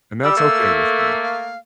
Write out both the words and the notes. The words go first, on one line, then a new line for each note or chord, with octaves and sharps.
and that's okay with me.
G3 E6
A3 A#3
E6
F5